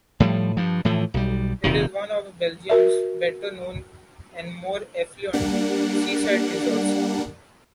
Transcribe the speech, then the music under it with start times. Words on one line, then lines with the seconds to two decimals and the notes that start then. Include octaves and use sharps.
It is one of Belgium's better-known and more affluent seaside resorts.
0.20 A2 F3 G3
0.57 G2 F3
0.85 A2 E3 F3
1.14 B1 G3
1.64 D#1 C3 D#3
2.69 F#4 A#4 E5
5.33 G3 A#3 D4 F#5